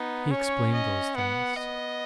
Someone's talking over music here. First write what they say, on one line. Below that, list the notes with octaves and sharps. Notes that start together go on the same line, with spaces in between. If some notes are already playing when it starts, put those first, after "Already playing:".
He explained those things.
Already playing: B3 D#4
C#4 C#5
D#5
B3 F#5
B3 D#5